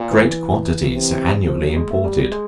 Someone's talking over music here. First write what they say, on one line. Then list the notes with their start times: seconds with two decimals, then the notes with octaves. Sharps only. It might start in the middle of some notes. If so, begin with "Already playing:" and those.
Great quantities are annually imported.
Already playing: A#2
0.11 E3
0.94 C3
1.49 F3
1.63 F#3
1.76 G#3
1.91 A3
2.04 G3
2.32 G#3